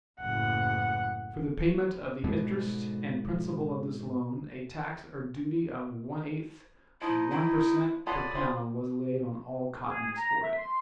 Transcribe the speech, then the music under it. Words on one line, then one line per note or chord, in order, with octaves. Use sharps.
For the payment of the interest and principal of this loan a tax or duty of one eighth of one per cent. per pound was laid on all cotton exported.
F#1 A2 F#5
G#2 B2 D3
F3 D#4 E4
E4
F4 A4 C#5 D5 F#5 B5 D#6
C4 F4
G#4
A#5
E5
C6